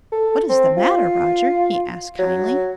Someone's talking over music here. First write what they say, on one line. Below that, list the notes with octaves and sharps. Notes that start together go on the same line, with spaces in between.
"What is the matter, Roger?" he asked kindly.
A4
C4
F4
F#3